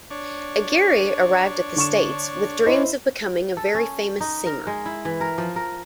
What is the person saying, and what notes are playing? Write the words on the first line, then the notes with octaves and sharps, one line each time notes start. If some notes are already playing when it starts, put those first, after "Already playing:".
Aguirre arrived at the States with dreams of becoming a very famous singer.
D4 C#5
D3 C#6 E7
E4 C5 D#5
A4
C#4
D#4
A#4
G#3
E4
E3
A#4
F3
A#4